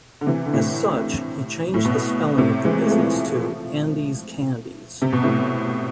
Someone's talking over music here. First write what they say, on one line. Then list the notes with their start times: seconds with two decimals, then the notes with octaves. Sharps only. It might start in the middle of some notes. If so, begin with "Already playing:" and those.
As such, he changed the spelling of the business to "Andes Candies".
0.21 D3
0.26 C3 E3
0.46 D3
0.53 A2 C3
1.74 A2
1.85 B2
2.38 A2 C3
2.65 E3 G#3
2.87 G#3
2.90 F3 A3
5.02 C3
5.13 B2
5.23 A2 C3